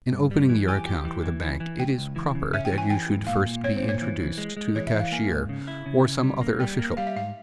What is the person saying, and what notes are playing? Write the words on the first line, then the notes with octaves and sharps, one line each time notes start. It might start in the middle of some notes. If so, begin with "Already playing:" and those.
In opening your account with a bank it is proper that you should first be introduced to the cashier, or some other official.
G2
G3
E3
G4 G#5
G4
E3
E3
E3
E3
C#2 G5
C#2
E3
C#3
C#4 E5
G5
E3
G#5
E3 G5
G#2
A#2 F5
A#2
C4 C#5
C5
A#2
C#5
E3
E3
G#3
G#3
E3 C#5
E5
E3
F5
A#3 G#5
G#2
C#3
E4
C#3
C#3
G3
A#3
G3 G5
A#3
G3 F5
E5
G#2 F5